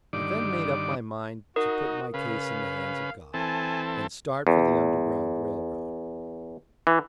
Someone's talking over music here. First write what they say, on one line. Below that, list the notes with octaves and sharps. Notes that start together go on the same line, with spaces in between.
I then made up my mind to put my case in the hands of God, and start for the Underground Rail Road.
G2 D3 D#3 D5 D6
D#4 F#4 A#4 D#6
C#3 B4 F5
E3 C4 A4 G#5 A5
E2
E3